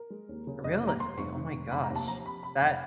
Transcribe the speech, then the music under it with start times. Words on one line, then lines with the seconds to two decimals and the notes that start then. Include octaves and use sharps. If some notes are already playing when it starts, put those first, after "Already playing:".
real estate, oh my gosh, that
Already playing: A#4
0.10 G#3
0.29 D#2
0.47 C#3
0.64 F1 D#5
0.83 D#2 A#5
1.00 F1 C6
1.18 F1 C#6
1.36 D#3
1.54 F1
1.71 F1 B5
1.84 A#5
1.90 D#2
1.96 A5
2.07 F3 A#5
2.25 C3 B5
2.43 C3 B5
2.61 F1